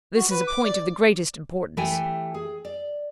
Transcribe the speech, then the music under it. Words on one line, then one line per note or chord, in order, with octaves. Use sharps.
This is a point of the greatest importance.
F#4
B4
D6
D5
E3 A3 G4 A4 G5 G#5
G#4
D5